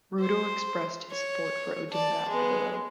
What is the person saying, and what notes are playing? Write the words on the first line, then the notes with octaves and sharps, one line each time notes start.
Ruto expressed his support for Odinga after the vote.
C5
C#5
D5 A5
G#3 B3